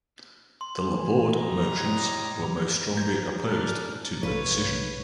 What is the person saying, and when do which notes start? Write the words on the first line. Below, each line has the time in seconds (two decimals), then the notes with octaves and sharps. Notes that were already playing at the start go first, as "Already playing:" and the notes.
The Labourd merchants were most strongly opposed to the decision.
0.61 C6
0.94 E3
1.35 G3 D#5 A#5
1.78 A2 F#6 G#6
2.97 A#5 G6 G#6
3.48 C#3 D4 A#4 A5 F6 F#6
4.23 B1 C3 B4 C#5 F5